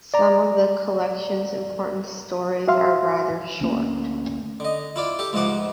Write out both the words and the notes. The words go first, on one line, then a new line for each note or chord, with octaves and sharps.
Some of the collection's important stories are rather short.
D5 A#5
F#4 E5 F5 C6
D2 A3 A#3 C#4
D3 D#5
E4 F4 D5
G4 A4
C#2 G#2 C3 F3 F#5 D6